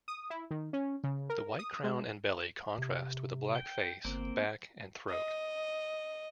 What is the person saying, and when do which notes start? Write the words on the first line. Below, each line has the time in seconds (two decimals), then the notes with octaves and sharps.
The white crown and belly contrast with the black face, back and throat.
0.08 D#6
0.30 E4
0.51 D#3
0.73 C#4
1.04 C#3
1.30 A#4
1.59 D#6
1.84 G#3
2.78 C3
3.55 G5
4.05 G1 A#3 C4
5.10 D#5